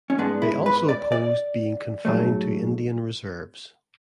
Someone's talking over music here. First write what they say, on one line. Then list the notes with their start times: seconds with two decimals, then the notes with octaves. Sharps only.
They also opposed being confined to Indian reserves.
0.10 C#4
0.18 G#2 G#3 B3 D4
0.42 E4
0.66 B4
0.89 D5
1.12 D5
2.05 G#2 F#3 A3